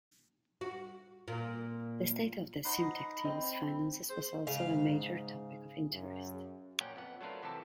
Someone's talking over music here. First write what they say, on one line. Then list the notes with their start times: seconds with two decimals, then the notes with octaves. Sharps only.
The state of the Simtek team's finances was also a major topic of interest.
0.61 F#4
1.28 A#2
2.65 D#4 B4 C5 F#5 B5
3.25 C4 D#5
4.10 G#4 C5
4.47 G#2 C#3 F5
5.93 F#2
6.80 A#2 F3 C#4 F#5 G5
6.96 F2 B3 F#5
7.21 F#3 A3 D4 F4 A#4 B4
7.43 C3 E3 F3 G4 A4 A5